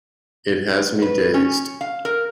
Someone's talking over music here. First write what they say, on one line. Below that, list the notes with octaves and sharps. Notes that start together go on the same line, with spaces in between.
It has me dazed.
B4
C#4
F5
A#4